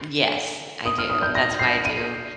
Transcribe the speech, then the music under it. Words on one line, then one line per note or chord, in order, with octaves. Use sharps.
Yes. I do. That's why I do,
D#6
F6
D#6
G6
A#6
C7
D#7